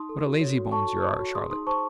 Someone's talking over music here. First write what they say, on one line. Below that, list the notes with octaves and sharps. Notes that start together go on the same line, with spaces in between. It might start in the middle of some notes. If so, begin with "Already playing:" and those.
What a lazybones yer are, Charlotte.'
Already playing: D#4 C6 D#6
A4
F#4
C#5
F#4
A4 A5 C#6
F#4
C#5
F#4
G#4 C6 D#6
D#4 C6 D#6
C5 A5 C#6